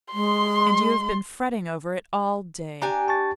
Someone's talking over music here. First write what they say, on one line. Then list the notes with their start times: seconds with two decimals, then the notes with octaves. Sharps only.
'And you have been fretting over it all day.
0.13 G#3 C6
2.82 D4 G4 G#5 A#5
3.08 A5 C#6 A6